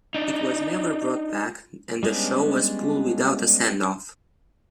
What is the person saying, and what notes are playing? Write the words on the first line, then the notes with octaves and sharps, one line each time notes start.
It was never brought back, and the show was pulled without a send-off.
D4 D#4
G3 G#3 B3 C#4 D4